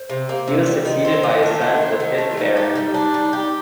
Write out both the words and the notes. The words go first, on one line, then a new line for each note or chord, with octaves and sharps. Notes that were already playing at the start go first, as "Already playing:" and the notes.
He was succeeded by his son, the fifth Baron.
Already playing: C5
C3
A#3
C3
G3
G4
D#3 F4
C4
D#3
A3
D#3
C4
D#3
A3
F4
G3 D#4
G4
G3
D4
G3
G4